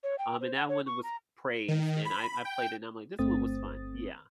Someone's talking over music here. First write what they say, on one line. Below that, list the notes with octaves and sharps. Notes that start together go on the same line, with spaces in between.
um, and that one was praised, and I I played it and I'm like, "This one was fun." Yeah,
C#5
G5
C5
F#5
C#5
C#6
A#5
D#3
B5
G5
G1 A3 C4 D#6 A6